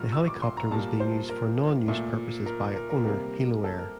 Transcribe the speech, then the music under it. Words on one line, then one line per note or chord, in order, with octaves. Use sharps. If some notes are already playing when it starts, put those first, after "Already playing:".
The helicopter was being used for non-news purposes by owner Heloair.
Already playing: A#2 G3 A#3 F6
E6
D6
C6
A#5
A#2 G3 A#3 A5
C5
A#4
A#2 A3
A#4
A#4
A#4
C3 G3 A#3
A4
A#4